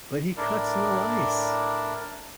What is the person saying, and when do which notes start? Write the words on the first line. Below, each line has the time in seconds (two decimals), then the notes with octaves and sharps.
But he cuts no ice.
0.37 A2 D4 E4 A#4 D5